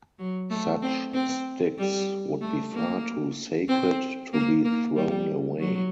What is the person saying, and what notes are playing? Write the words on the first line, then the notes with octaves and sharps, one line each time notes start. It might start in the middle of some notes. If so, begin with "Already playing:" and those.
Such sticks would be far too sacred to be thrown away.
F#3
A3
C4
C4
G3
A3
A#3
C4
A#3
A#3
G3
F#3